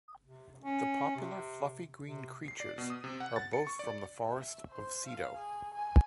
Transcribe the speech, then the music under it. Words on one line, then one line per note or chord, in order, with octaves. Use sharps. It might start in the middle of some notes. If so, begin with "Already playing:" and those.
The popular fluffy green creatures are both from the forest of Seto.
C3
C#4
C3
C3
C7
D5
B2
D#6
C3
F#5
A6
C#7
C#6
D5
E5
C5
F5
G#4
G#5